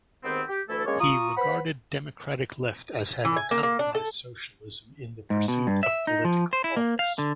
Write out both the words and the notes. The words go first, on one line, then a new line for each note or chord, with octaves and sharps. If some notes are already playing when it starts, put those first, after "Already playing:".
He regarded Democratic Left as having compromised socialism in the pursuit of political office.
D#2 G#2 D#3 B3 C4
G4
D2 E3 A3 E4 A4
G#3 A#3 C#4 D4 C#5
F4 A#5 C#6 D#6
B4 C5 F#5 B5
E3
G#5
A#3
A#3
D4
A4
G#2
B2
G2
E5
D#4
F3
C5
E4
A#3
F5
D3